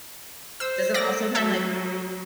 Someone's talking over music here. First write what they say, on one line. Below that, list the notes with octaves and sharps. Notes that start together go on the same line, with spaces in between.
does it also then, like
C5 E6
A#3 A4 D5 A#6
F#3 A4 E5